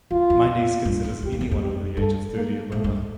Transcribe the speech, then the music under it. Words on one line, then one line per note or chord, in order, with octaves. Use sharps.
My niece considers anyone over the age of thirty a Boomer.
E2 F4
F2
G2
F2
E2 G4
E2
F2
F2
G4
G2 A4
A#3
A2 A3
G2